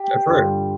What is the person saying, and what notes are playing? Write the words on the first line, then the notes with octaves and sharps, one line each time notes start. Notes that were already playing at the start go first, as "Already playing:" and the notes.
That's right.
Already playing: G4
G2 D3 G3 F4